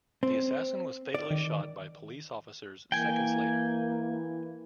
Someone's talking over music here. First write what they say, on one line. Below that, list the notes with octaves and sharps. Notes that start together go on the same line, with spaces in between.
The assassin was fatally shot by police officers seconds later.
C4
D5
D#3
E3 A#3 G5 G#5